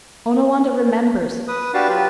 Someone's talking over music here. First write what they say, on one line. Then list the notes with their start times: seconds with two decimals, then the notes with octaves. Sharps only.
Onawandah remembers!
1.48 B4 D#6
1.74 D4 F#4 G4 B4 F5 A5
1.89 F#3 F4 G4 B4